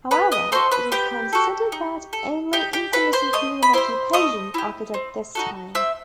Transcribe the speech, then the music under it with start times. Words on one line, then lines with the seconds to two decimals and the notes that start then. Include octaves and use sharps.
However, it is considered that only intermittent human occupation occurred at this time.
0.11 B3 B4 B5
0.32 D#5 D#6
0.52 F#4 A4 C5 C6
0.72 B4 B5
0.92 B3 G4 G5
1.33 F#4 A4
1.72 D#4
2.13 A4
2.53 D#4 G4 G5
2.73 G4 G5
2.93 A4 B4 B5
3.13 C5 C6
3.33 A3 D#5 D#6
3.63 B5
3.73 E4 G4 C5 C6
4.13 A3 D#5 D#6
4.54 E4 G4
4.94 C4
5.35 D#4 F#4 A4
5.75 C4 E5 E6